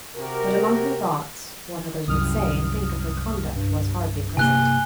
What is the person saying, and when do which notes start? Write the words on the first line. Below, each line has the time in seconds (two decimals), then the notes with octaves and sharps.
But among her thoughts, what others would say and think of her conduct was hardly present.
0.16 C3 F#4 G4 A#4
2.08 C2 F#2 D#6 F6
3.56 G2
4.37 C3 A#3 G#5 F#6 G7